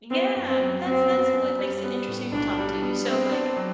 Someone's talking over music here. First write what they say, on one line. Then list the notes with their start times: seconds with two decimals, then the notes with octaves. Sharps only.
Yeah, but that's that's what makes it interesting to talk to you, so, like,
0.11 B3 C4
0.36 F#2
0.48 C4
0.61 F#3
0.85 F#2 C4
1.10 B3
1.33 F#2
1.59 G3
1.84 B3
2.08 A2
2.32 B1 D4
2.58 G3
2.82 B3
3.06 B3 C4
3.31 D4
3.57 F#3